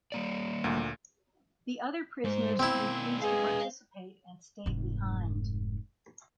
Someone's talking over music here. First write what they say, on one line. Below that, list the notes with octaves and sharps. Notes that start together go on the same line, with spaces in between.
The other prisoners refused to participate and stayed behind.
G3 A#3 D5
D2 A#2
G#2 G#3 C5
B2 C4 E4 D5
G#3 G#4 B4 F5
F1 G#2